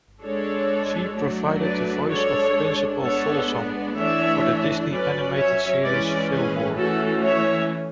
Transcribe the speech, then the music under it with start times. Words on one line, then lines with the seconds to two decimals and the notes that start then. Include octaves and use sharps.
She provided the voice of Principal Folsom for the Disney animated series Fillmore!
0.22 G#3 D4 A4 C#5
1.15 F#3 A3 D4
1.62 B4 D5
2.09 G#3 D4 A4 C#5
3.02 G#3 B3 D4 A4 C#5
3.96 E3 A3 D4 C#5 E5
4.90 F#3 C#4 B4 D5
5.36 C#5 E5
5.83 E3 G#3 C#4 B4 D5
6.30 G#4 B4
6.77 E3 A3 C#4 F#4 A4
7.24 C#5 E5